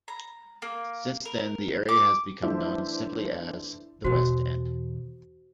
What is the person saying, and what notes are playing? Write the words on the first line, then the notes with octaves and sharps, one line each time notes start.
Since then the area has become known simply as "The West End".
A#5
A#3
A#4
D6
E3 A3 D4 E4 C5 E5
E2 B2 F#4 C5